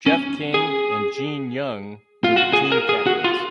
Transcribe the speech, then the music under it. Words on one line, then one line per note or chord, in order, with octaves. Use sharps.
Jeff King and Gene Young were the team captains.
C#4
G#4
F4
F#4
G#4
A#4
G#4
F#4
F4